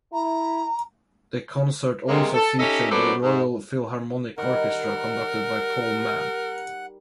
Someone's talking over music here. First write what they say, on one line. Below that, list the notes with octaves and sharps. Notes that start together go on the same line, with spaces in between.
The concert also featured the Royal Philharmonic Orchestra conducted by Paul Mann.
E4 A#5
C3 G3 G#3 A#3 C4
A4
C#4 D#4 G4 A4 D#5 E5
F#2 F#3 B3 A4 C5 D5
G#2
D#3 G3 A#4 F#5